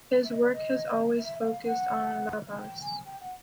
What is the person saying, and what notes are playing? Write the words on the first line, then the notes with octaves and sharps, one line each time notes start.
His work has always focused on La Paz.
E5
D#5
D5
D#5
E5
F5
F#5
G5
G#5
G5
F#5